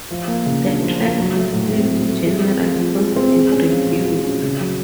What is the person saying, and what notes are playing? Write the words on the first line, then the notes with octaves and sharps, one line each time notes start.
The track received generally positive reviews.
F3
A#3
C#3
D4
F3
A#3
F#3
A3
A2
C4
F#3
A3
G#3
C4
F3
F4
G#3
C4
G#3
C#4
F3
F#4
G#3
C#4
C#3
F#3